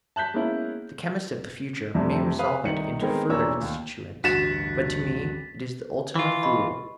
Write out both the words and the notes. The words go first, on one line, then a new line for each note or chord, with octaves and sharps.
"The chemist of the future may resolve it into further constituents, but to me it is the Ultima Thule."
A5 F#6 G6 B6
G#3 A#3 B3 C#4 E4
F2 C3 G3 A3 C4 D4
B4 F5 D#6
C2 D#3 C#7 F#7
D#3 G#3 B3 C4 G#4 A#4
E1 A#2 D4 C#5 A#5 E6
D#2
A1 D2 G2 F#4 A6 B6 E7
E3 F4 C#6
D#5 B5 C#6